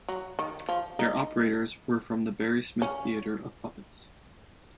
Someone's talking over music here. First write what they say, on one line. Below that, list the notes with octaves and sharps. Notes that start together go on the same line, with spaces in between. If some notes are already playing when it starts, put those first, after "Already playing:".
Their operators were from The Barry Smith Theatre of Puppets.
F#3
D#3
F3
D#4
C#4